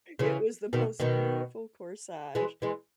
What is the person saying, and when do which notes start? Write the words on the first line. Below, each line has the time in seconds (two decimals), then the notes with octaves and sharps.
it was the most beautiful corsage,
0.19 C#3 E3
0.73 B2 D#3
1.00 B2 D#3
2.35 E3 G#3
2.62 E3 G#3